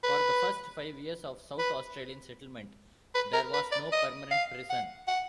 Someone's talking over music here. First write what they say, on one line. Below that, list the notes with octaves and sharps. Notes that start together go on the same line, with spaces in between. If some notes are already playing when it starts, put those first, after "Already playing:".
For the first five years of South Australian settlement there was no permanent prison.
B4
B4
B4
A#4
B4
D5
D#5
F5
F#5
F#5